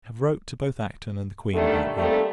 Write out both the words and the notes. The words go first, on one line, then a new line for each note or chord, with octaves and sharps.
I have wrote to both Acton and the Queen about you.
D3 D#3 G3 A3
D#3 G3 A3 A#3 C4 A4